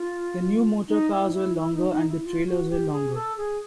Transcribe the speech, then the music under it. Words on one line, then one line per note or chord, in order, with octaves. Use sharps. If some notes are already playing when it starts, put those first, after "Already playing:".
The new motor cars were longer, and the trailers were longer.
Already playing: F4
D#4
E4
D#4
E4
E4
D#4
D#4
E4
F4
F#4
G4
G#4
A4
G#4